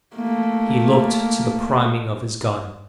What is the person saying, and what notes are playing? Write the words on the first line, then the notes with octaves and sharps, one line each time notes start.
He looked to the priming of his gun.
A3 A#3